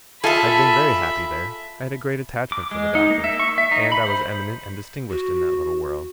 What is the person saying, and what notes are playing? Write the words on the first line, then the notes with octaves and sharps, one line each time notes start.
I had been very happy there, I had a great attachment for the Doctor, and I was eminent and distinguished in that little world.
F4 G#4 A4 E5 A5 B5
D6
G#3
D#4
A#3
E5
C#6
E5
D#4
B5
C5
F#4